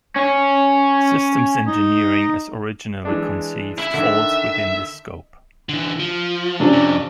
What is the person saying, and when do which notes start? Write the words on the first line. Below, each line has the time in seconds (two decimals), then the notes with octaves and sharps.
Systems engineering, as originally conceived, falls within this scope.
0.16 C#4 C#5
1.67 D#4
3.05 E3 G#3 D4
3.78 E4
3.94 D3 D#3 E5
5.69 D3 E3
6.00 F3
6.60 C3 C#4 D4
6.73 F2